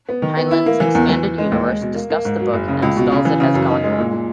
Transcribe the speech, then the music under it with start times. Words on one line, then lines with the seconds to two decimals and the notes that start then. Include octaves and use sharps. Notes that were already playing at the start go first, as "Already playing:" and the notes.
Heinlein's "Expanded Universe" discusses the book, and spells it as Gondor.
0.09 B3
0.22 D#3
0.37 B3
0.51 E4
0.66 A#3
0.80 E3
0.95 E2
1.09 E3
1.23 E3
1.38 G#3
1.52 D#2
1.67 G#3
1.81 B2
1.95 A#3
2.10 A#3
2.25 G#2
2.40 F#3
2.53 F#1
2.68 C#3
2.82 C#2
2.97 B2
3.12 C#3
3.25 E3
3.40 C#3
3.54 F#2
3.70 D#4
3.84 G#3
3.98 A#2
4.12 A#2